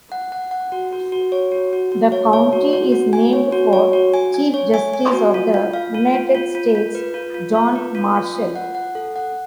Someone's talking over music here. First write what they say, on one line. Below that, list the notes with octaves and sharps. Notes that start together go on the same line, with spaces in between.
The county is named for Chief Justice of the United States John Marshall.
F#5
F#5
F#5
F#4
F#4
F#4
C#5
F#4
F#4
F#4
C#5
C#5
F#4
F#4
F#4
G#5
C#5
F#4
C#5
F#4
G#5
G#5
C#5
G#5
G#5
F#4
F4
F4
F5
F4
F4
F4
F4
F4
B4
F4
F4
F4
B4
F4
F4
F4
F#5
F#5
A4
F#5